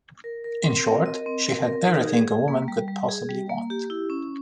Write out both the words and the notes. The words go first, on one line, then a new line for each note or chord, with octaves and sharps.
In short, she had everything a woman could possibly want.
A#4
A#4
C4
A#4
D#5
C4
A#4
A#4
D#4
G#4
G#4
A#3
G3
G3
G#4
G3
A#3
G4
E4
C#4